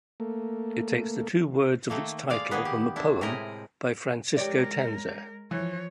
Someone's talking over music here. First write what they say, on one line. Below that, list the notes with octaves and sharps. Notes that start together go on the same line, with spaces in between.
It takes the two words of its title from a poem by Francisco Tanzer.
A3 A#3
D#3 A3 A#3
G#3 D5 F5
D#3 A#3 B3 G#4 B4
G4
D4 E4
A2 C3 G#3 E4 A#4 D#5
G#3 G4 A#4 C#5 D5
E3 F3 C#5